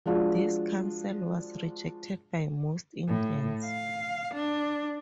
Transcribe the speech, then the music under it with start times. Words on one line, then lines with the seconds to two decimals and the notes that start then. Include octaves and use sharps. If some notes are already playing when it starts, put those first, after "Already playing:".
This council was rejected by most Indians.
0.06 F3 G#3 D4 F4 F#4
3.07 A2
3.65 F5
4.34 D4